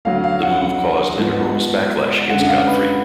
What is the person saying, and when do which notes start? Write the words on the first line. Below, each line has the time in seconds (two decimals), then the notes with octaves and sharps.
The move caused an enormous backlash against Godfrey.
0.05 D2 D3 F#3 F5
0.24 F5
0.42 F#5
0.61 F#5
1.17 G#2 F3 B3
2.29 F#2 D3 G#3 F#5
2.43 F#5
2.49 F5
2.67 B4